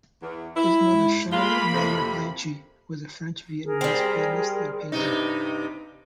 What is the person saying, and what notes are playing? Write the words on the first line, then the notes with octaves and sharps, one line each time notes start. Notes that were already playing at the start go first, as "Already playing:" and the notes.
His mother, Charlotte Mayer-Blanchy, was a French-Vietnamese pianist and painter.
E2
E4
G#2
G#3 A#3 F4 B5
F2 C3
G#4 A#4
G3 C4
G2 C3 D#4